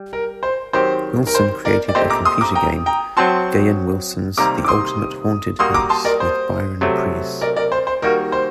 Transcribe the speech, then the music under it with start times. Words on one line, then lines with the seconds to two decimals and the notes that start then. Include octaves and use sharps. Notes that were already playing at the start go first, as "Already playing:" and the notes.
Wilson created a computer game, "Gahan Wilson's The Ultimate Haunted House", with Byron Preiss.
Already playing: G3
0.13 A#4
0.43 C5
0.73 D#3 F#3 C4 G4 C5
1.27 A#4
1.35 C5
1.65 A#4 D5
1.89 D5
1.95 A#2 A3 C4 G4 C5 D#5
2.10 A#5 D6
2.25 C6 D#6
2.41 A#5 D6
2.55 G5 A#5
2.86 G5 A#5
3.17 F#3 C4 F#4 A5 C6
4.38 C3 D#3 G3 A#3 A#5 D6
4.64 D6
4.68 C6 D#6
5.59 G3 A#3 F#4 C6 D#6
5.74 A#5 D6
5.89 A5 C6
6.05 A#4 D5
6.20 C5
6.81 C3 F#3 A3
7.41 A#4 D5
7.56 A#4 D5
7.72 C5
7.87 C5
8.02 D#3 G3 A#3 F#4 A#4
8.32 C5